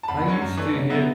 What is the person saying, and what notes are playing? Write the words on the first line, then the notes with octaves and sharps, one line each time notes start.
I used to hit
A5
E2 B5
D3 F#3 C#4
F#2
E3 A3 D4
B1
B2 F#3 B3 E4